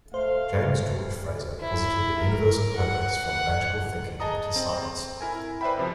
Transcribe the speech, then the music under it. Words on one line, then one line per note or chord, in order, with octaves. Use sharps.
James George Frazer posited a universal progress from magical thinking to science.
A3 C5 F5
E4
A#4
F#5
F#5
G#4 D#5 A5 A#5 D#6
C4
E4 A#4 G#5
B4 C5 D5 E5 G5 B5
B1 C3 F3